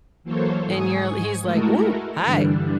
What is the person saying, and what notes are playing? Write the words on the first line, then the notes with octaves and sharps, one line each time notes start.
and you're he's like, "Woo, hi."
E3 F#3 A#3 A4 C5 C#5
G#2 G#5 C#6 D#6
G#3 A3 E4 F#4 A4 A#4
G2 D3 E3 G3 D4